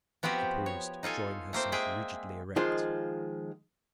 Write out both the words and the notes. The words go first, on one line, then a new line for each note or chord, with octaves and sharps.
She paused, drawing herself rigidly erect.
F3 B3 C4 F#4 G4
C#5
D#4 F4 A4 G#5
A3 A#3 C4 C5
G#3 G#4 E5 G5
D#3 F3 G#3 F4